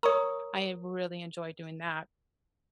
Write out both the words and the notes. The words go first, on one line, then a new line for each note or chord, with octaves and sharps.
I really enjoy doing that,
A#4 C#5 A#5 C#6 D#6